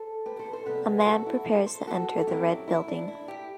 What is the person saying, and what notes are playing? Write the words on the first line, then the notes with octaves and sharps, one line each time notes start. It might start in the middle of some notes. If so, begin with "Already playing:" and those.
A man prepares to enter the red building.
Already playing: A4 C5
G4 B4
A4 C5
A4 C5
C3 G3 B3 G4 B4
F#4 A4
E4
A4 C5
F#4 A4
A4
F#2 F#3 C4 E4 G4
E4
D4
E4
E4 G4